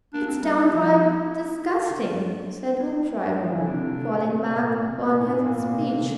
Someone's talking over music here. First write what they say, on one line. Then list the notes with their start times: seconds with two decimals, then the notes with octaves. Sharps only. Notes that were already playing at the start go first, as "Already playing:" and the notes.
"It's downright disgusting," said Hoopdriver, falling back upon his speech.
0.14 A#3 D4
0.27 C4
0.42 G3 D4
0.57 E4
0.73 F3
1.90 D3
2.78 E4
3.23 D4
3.43 F3
3.50 E3
3.58 D3 E4
3.67 C3 D4
3.97 D3
4.18 A#2
4.25 C3
4.55 A#2
4.85 C3
5.14 A#2
5.20 E4
5.27 D4
5.35 C4
5.43 A#2 A#3
5.73 C3
6.02 D3